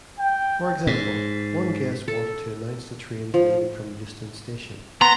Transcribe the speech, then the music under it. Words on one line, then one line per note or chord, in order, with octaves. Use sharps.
For example, one guest wanted to announce the trains leaving from Euston Station.
G5
G#2
A4
F3
B3 A#5 C6